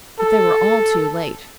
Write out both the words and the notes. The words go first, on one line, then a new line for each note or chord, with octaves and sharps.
But they were all too late.
A4